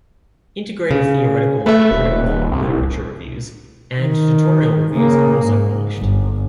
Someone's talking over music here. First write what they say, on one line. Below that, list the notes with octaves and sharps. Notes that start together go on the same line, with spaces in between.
Integrative theoretical and critical literature reviews, and tutorial reviews are also published.
C#3
A3 B4 E5
D#1
C2
D#3
C#3 A#3
G#2
G1